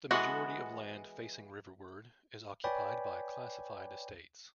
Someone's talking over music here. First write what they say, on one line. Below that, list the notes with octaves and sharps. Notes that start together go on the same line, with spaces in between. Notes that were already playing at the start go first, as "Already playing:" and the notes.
The majority of land facing riverward is occupied by classified estates.
E3 G#3 B3 F#4 A4
B4 C#5 D5 G5 G#5 B5